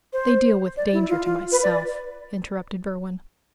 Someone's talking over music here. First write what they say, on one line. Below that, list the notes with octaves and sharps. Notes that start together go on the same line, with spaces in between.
"They deal with danger to myself," interrupted Berwin.
C5
D5
E4
F4
F4
B4
D5